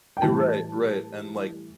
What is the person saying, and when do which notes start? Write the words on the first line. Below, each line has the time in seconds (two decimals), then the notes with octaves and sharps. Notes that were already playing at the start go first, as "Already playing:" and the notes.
Eh, right, right, and like
0.17 G5
0.22 A2 E3 G3 A5